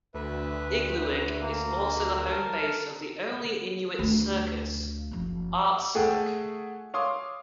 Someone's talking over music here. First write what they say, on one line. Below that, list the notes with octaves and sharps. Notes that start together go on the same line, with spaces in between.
Igloolik is also the home-base of the only Inuit circus, Artcirq.
D2 B4 E5
A#3
A#4 A5
D2 A3
F#1 F3
A3 G#4 A4 F#5 G5
C#5 F5 C6 D6 D#6